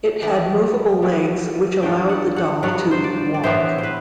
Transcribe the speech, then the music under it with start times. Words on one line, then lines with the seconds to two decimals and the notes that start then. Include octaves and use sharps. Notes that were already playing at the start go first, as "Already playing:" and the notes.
It had movable legs which allowed the doll to "walk".
0.22 E3 B3 D4 G5
1.02 E3 B3 D4
1.82 G2 F#3 B3 D4 G5
2.09 F#5
2.36 F#5
2.62 G2 F#3 B3 D4 F#5
2.91 C5
3.04 D5
3.34 D5
3.44 A2 E3 B3 E4 C5
3.78 C5
3.83 B4